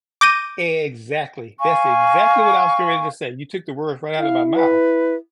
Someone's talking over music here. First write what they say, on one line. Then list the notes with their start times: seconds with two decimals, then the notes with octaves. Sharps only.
Exactly, that's exactly what I was getting ready to say; you took the words right out of my mouth,
0.21 D6 G6 A#6 D#7
1.60 F5 G#5 C#6
4.20 E4 F5
4.55 B4